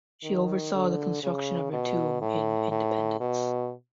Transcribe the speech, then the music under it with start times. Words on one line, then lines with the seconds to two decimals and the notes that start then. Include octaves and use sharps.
She oversaw the construction of her tomb in Independence.
0.24 D#3
0.73 D3
1.23 C#3
1.73 B2
2.22 A2
2.71 A2
3.20 B2